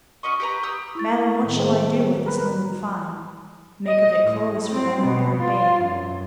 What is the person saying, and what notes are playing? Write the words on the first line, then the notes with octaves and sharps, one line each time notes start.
'Madame, what shall I do with this linen fine?'--'Make of it clothes for thy new-born babe.'
C#4 F#4 D#5 C#6
G4 B4 A#5
G4 D#6 E6
E4 C#6 A6
A2 D#3
G3 G#3 A#3 C4 G#4
A#4 B4
D#5
A2
C4
B2
F4
F#2